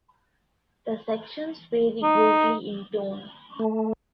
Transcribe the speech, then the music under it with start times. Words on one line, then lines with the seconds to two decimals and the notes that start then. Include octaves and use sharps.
The sections vary greatly in tone.
2.03 D#4
3.59 A3